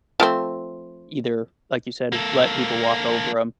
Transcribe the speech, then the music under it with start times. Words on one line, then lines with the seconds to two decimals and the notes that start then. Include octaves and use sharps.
either, like you said, let people walk over them
0.20 F3 A3 C4
2.13 A#3 A4